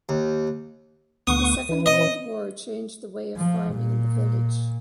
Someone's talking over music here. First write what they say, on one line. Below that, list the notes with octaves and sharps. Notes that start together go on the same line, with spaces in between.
The Second World War changed the way of farming in the village.
D#2
D2 B3 C#6 D#6
E3
D#5
F3
A#2